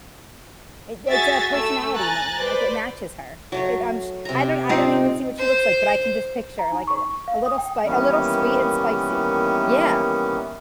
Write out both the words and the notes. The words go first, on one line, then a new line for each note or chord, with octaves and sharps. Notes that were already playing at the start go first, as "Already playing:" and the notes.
It it's a personality name, like, it matches her. It, um sh I don't I don't even see what she looks like, but I can just picture, like, uh, a little spi a little sweet and spicy. Yeah.
F#4 G#4 E5 G#5 A6 A#6
A3 E6
G#5 A#5 F#6 A6
B4 C5 D5
F#3 A3 C#5
C3 A#5
C4 D#4 F4
C5
A#5
D#4
C#6
C#6
F5
D#6
G5
D#3 E3 G3 A#3 B3 C#4